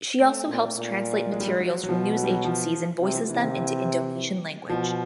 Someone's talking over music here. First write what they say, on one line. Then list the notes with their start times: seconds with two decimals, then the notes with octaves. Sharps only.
She also helps translate materials from news agencies and voices them into Indonesian language.
0.20 A3
0.49 A#2
0.76 A#2
1.32 G#3
1.40 G3
1.47 G#3
1.60 F#3
1.84 F#3
1.88 B2 F3
2.17 F#3
2.24 G3
2.31 F#3
2.44 F3
3.01 C3
3.11 E3
3.15 F3
3.29 C3 E3
3.43 D#3
3.57 E3
4.69 B2 F3